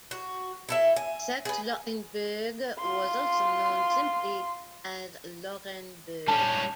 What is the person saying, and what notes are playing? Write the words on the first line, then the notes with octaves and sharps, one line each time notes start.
Saxe-Lauenburg was also known simply as Lauenburg.
F#4
E4 A4 E5
G#5
G#4 B4
F4 C6
G3 C#4 A5